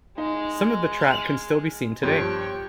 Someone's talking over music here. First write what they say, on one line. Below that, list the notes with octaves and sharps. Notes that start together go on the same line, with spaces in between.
Some of the track can still be seen today.
G#3 D#4
F6
G2 F3 G4 C#5 G5 C6